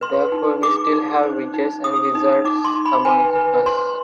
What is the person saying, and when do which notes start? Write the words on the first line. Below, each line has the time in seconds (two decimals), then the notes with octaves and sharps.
Therefore we still have witches and wizards amongst us.
0.01 B4 C6
0.32 D#4
0.62 G#4 D6
0.93 D#4
1.23 C5
1.54 D#4
1.84 G#4 D#6
2.15 D#4
2.45 D#4 D6
2.64 C6
2.75 D#4
2.85 B5
3.05 B4 G#5
3.35 B4
3.66 C5 C6